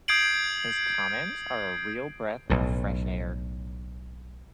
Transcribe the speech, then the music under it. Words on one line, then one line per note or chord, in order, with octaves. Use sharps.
His comments are a real breath of fresh air.
D#6 G6 G#6 C7 D7 F#7
B1 A2